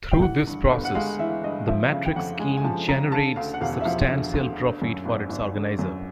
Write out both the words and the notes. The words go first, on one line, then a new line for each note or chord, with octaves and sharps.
Through this process, the matrix scheme generates substantial profit for its organiser.
G5
E3 F#5
G2
G1
F#5
G#3 F5
E3 E5
G2 D#5
F3 E5
C#3 F5
G5
F2 F#5
G#3 G#5
G#5
F3 A5
C#3 A#5
D3 A5
D2 F5
F#5
E1 F5
E5
F3 F5
D3
D2
D3
F#2
G#1
G#1
D3
F#2